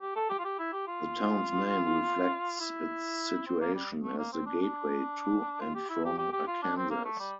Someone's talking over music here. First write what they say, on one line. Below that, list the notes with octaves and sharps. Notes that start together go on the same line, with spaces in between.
The town's name reflects its situation as the "gateway" to and from Arkansas.
G4
A4
G4
F4
G4
E4
G4
F4
E4
C4
A#3
G3
A3
A#3
C4
D4
D4
F4
G4
E4
G4
G4
G4
F4
D4
C4
A#3
A3
G3